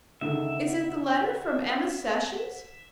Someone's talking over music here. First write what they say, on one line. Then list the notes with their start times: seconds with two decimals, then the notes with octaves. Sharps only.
Is it the letter from Emma Sessions?
0.21 C#2 D3 D#3 E5 F#5